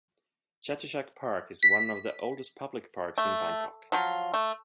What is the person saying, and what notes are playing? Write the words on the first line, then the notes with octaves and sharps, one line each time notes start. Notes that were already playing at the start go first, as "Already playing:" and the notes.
Chatuchak park is one of the oldest public parks in Bangkok.
B6
A3
F3 F#3 F4
A3